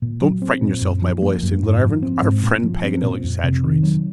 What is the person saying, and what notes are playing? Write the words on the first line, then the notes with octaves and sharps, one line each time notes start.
"Don't frighten yourself, my boy," said Glenarvan; "our friend Paganel exaggerates."
A#2
F#3
C4
A#2
F#2
F3
A#3
F#2
G#2
F3
C4
G#2
A#2
F3
C4
A#2
F2
C3
D#3
F#3